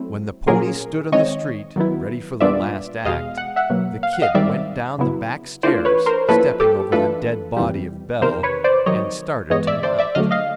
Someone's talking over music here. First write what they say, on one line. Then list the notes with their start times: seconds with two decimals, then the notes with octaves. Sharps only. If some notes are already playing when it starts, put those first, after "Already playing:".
When the pony stood on the street, ready for the last act, the "Kid" went down the back stairs, stepping over the dead body of Bell, and started to mount.
Already playing: F#3 A3 C4 E4
0.47 A#2 F#3 A#3 C#4 F4 G#4 A#4
1.12 D#3 G#3 C4 C#5 D#5
1.76 D#3 F#3 B3 E4
2.41 A#2 G3 B3 D4 F4 D5 E5
3.05 E2 B2 G#3 D#5 F5
3.37 F#5
3.56 E5 F#5
3.70 B2 F#3 A#3
4.03 F5
4.13 F#5
4.22 D#5 F5
4.34 G#2 D#3 G3 C4 D5 E5
4.99 C#3 F#3 B3 E4
5.63 E3 A3 D4 F4 C5 D5
5.85 B4 C#5
6.06 A#4 C5
6.28 A2 F3 A#3 C#4 E4 A4 B4
6.60 G4 A4
6.92 E3 A3 D4 F4 A4 B4
7.57 F2 C3 E3 G3
8.21 E2 C3 D#3 A#4 C5
8.43 B4 C#5
8.64 C5 D5
8.86 C3 D#3 F#3 C#5 D#5
9.50 G2 E3 G#3 B3 C#5 D#5
9.67 D5 E5
9.83 C5 D5
9.98 D5 E5
10.15 D3 F#3 A3 D#5 F5
10.31 D#5 F5